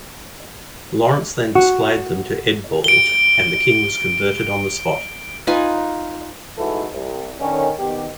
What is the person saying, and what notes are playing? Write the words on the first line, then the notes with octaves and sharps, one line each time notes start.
Laurence then displayed them to Eadbald, and the king was converted on the spot.
F#4
D7 G7
D#4 F4 B4 G#5
G#2 E3 D#4 E4 F#4 A4
C2
D3 D#3 C#4
B2 D#3 G4